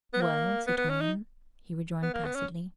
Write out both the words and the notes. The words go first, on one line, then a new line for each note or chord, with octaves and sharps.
"Well, citoyenne?" he rejoined placidly.
B3
A#3
B3
B3
C#4
D#4
B3
A#3
B3
C#4